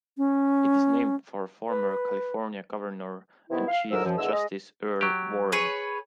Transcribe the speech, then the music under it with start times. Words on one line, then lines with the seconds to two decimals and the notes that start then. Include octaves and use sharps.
It is named for former California Governor and Chief Justice Earl Warren.
0.18 C#4
1.69 B4
3.50 C3 D#3 E3 B3 E4
3.67 F5
3.91 D2 G#2 F3 F#3 A#4 E6
4.04 F#2 F3
4.17 E2 D3 G#3 E6
4.32 G#3 D#5
5.01 F#3 G4
5.52 G#4 B4 C#5